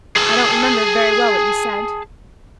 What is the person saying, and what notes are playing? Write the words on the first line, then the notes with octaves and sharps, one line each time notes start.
I don't remember very well what you said.
G#4 A5